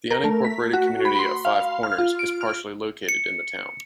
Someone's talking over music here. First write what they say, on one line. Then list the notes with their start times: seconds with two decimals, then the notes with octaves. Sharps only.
The unincorporated community of Five Corners is partially located in the town.
0.11 A#4
0.24 A3
0.45 B6
0.73 F#4
1.05 B5
1.19 C6
1.45 F5
1.83 F6
1.98 F4
2.19 D7
2.41 F6
3.09 C#7